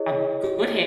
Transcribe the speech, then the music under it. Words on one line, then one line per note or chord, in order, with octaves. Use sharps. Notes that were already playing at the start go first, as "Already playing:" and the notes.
a good
Already playing: E4 G#4 C#5 D#5